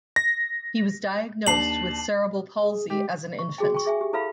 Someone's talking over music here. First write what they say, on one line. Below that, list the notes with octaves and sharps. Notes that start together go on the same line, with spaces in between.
He was diagnosed with cerebral palsy as an infant.
A#6
D#2 D4 A5 C7 F#7
G#4
G#3 G4
C#6
F#4 G#4 G5
G5 C#6
G#4 E5 G5 G#5
G4
E4 A4 B4 E5 F5 B5